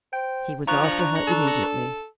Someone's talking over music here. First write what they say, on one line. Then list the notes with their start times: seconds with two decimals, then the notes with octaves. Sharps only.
He was after her immediately.
0.13 C5 G5
0.67 F3 D4 A#5 C#6 F#6
1.28 A4